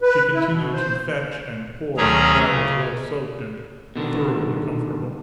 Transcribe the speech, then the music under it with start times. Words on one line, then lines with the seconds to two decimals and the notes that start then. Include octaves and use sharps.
She continued to fetch and pour until I was well soaked and thoroughly comfortable.
0.02 B4
0.33 E4
0.49 B2
0.74 C5
1.97 D2 D#3 F#3 C#4 G#4 A#5
2.45 C#3
3.96 B2 D3 D#3